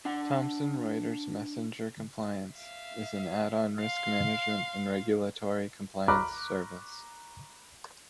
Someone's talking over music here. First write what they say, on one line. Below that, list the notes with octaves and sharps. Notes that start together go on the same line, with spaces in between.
Thomson Reuters Messenger Compliance is an add-on risk management and regulatory compliance service.
D4 F#5
E5 F5
F5 C6
A#5 B5 C#6 D6 F6 F#6